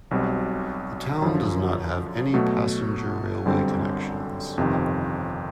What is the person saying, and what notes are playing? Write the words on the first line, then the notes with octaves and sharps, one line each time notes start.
The town does not have any passenger railway connections.
B1 B2 G3 C4
F#2 D3 F3
B2 F#3 A3
G1 F#2 D3 G3 C4
G1 F2 C3 D#3